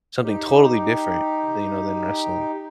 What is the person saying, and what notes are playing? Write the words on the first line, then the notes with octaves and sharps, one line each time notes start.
something totally different than you know, than wrestling.
D#4 G4